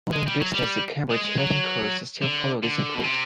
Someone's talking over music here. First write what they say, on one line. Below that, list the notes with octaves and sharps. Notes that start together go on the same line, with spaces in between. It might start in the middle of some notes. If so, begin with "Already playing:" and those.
Modern books such as the "Cambridge Latin Course" still follow this approach.
G#3
G3
F#3
G3
G#3
G#3
F#3
D3
D3
B2
C3